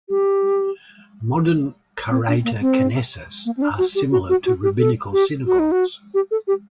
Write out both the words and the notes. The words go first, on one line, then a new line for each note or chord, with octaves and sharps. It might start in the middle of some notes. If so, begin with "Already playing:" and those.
Modern Karaite kenesas are similar to Rabbinical synagogues.
G4
C4
D4
A#3
C4
A#3
C4
D4
F#4
G4
F#4
F#4
F#4
G4
A4
G4
F#4
D#4
F#4
G4
A4
G4